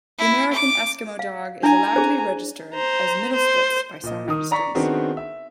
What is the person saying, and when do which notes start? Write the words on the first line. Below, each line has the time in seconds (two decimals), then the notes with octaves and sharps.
The American Eskimo Dog is allowed to be registered as Mittelspitz by some registries.
0.18 E4
0.52 D6
1.19 F5
1.63 D4 E4 G#5 A#5
1.96 G#4 C5
2.75 C5 A#5
3.33 C5
4.03 A#2 D#5
4.28 D#3 D#6
4.51 D5 A#5 C#6 B6
4.75 D#3 B3 C4 D4 F#4 G#4
5.17 E5